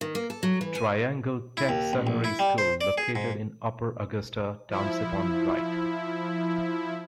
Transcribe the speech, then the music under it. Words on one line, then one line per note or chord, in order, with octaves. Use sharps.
Triangle Tech Sunbury School located in Upper Augusta Township on Rt.
D#3
A#3
A4
F#3
E3
G#5
E4
D#2
A1
A#1
E4
G3
C5
D5
G#4
G#2
F3 E4